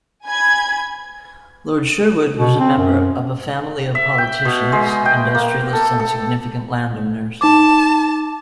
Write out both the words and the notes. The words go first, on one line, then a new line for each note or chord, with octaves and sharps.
Lord Sherwood was a member of a family of politicians, industrialists and significant landowners.
G#5 B5 G#6
B2
C4
F#2
E5
G5
B2
G#3
G5
A#3
A4
A4
D#4 A5 D6